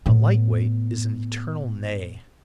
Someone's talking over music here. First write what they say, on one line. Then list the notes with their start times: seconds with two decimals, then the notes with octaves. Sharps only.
"A light-weight is an eternal nay."
0.06 A2 B3